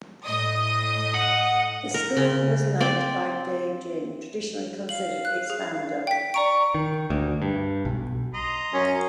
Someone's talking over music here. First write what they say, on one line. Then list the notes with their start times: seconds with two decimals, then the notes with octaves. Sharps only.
The school was led by Dai Jin, traditionally considered its founder.
0.25 A2 D#5 D#6
1.14 F#5
1.94 A#4
2.17 C#3
2.80 C4 D5
4.89 F5 F#7
5.25 F#6
5.50 G#4
6.07 G5 B6
6.34 D5 A#5 C#6 D7
6.75 D#3
7.10 D2
7.42 G2
7.85 B1
8.34 D#5 A#5 C6
8.74 F#2 C#4